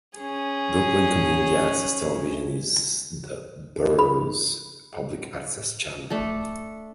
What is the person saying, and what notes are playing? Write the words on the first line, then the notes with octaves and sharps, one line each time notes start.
Brooklyn Community Access Television is the borough's public access channel.
C#4 G#4
B5
A3 D4 A4